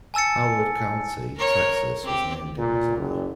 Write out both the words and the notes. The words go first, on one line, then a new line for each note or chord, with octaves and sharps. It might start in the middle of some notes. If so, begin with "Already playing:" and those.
Howard County, Texas was named in his honor.
G#5 A5 E6 A6 C#7
A#4 C#5
C4 G4
A#2
F#1